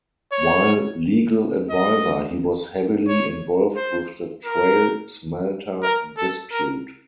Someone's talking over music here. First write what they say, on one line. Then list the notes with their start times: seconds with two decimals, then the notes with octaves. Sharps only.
While Legal Advisor, he was heavily involved with the Trail Smelter dispute.
0.33 C#5
1.70 D#5
3.08 C#5
3.76 C5
4.45 A#4
5.83 A#4
6.17 A4
6.52 A#4